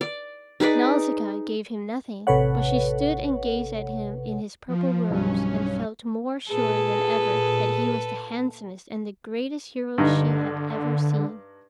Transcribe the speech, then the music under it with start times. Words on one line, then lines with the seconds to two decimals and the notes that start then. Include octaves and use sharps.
Nausicaa gave him nothing, but she stood and gazed at him in his purple robes and felt more sure than ever that he was the handsomest and the greatest hero she had ever seen.
0.01 D5
0.60 D#4 G#4 B4 D5
2.27 A1 C3 A4 B4 C#5 F#5
4.67 F3
5.11 B1 G2 C#4
6.49 A#2 G#4 A4 B4
9.98 G2 D3 D#4